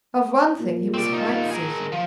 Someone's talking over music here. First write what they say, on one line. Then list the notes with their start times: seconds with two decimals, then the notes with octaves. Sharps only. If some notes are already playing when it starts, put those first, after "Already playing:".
Of one thing he was quite certain.
0.59 A#2
0.94 C4 D5
1.13 D#4 F4
1.50 G#4 A#4
1.92 F3